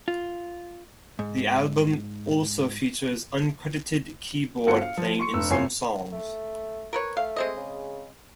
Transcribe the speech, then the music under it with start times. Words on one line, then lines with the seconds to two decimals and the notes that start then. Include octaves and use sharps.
The album also features uncredited keyboard playing in some songs.
0.08 F4
1.19 G#2
4.67 G1 F4 F#4 A4 C5 C#7
4.82 F5
4.97 F3
5.19 C6 C#6 C#7
5.34 F1 D4 E6
5.50 F#1 E2 F4 C#5 G#5 C7
6.13 A3
6.93 A#4 B4 C#5
7.17 A3 F5
7.36 G#3 C4 D#5
7.57 C#3